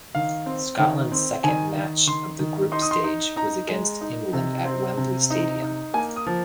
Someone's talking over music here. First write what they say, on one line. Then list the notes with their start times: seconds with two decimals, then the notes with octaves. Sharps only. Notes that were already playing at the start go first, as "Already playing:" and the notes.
Scotland's second match of the group stage was against England at Wembley Stadium.
0.15 D#3 F5
0.46 C4
0.79 D#3
1.12 C4
1.44 D#3 G#5
1.76 D#3
2.07 D#3 C6
2.39 D#3
2.72 D#4 C6
2.82 D#6
2.91 C6
3.04 D#4
3.36 D#4 A#5
3.68 G#3
4.01 D#4
4.33 C3
4.65 C4
4.97 C3
5.30 D#4
5.62 D#4
5.94 A#3 G#5
6.16 D#6
6.27 F3